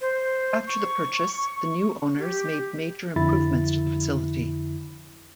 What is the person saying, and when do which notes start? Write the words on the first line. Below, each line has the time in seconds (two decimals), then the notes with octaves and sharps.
After the purchase, the new owners made major improvements to the facility.
0.01 C5
0.67 C#6
2.19 G4
3.16 F2 D3 E4 B5 A6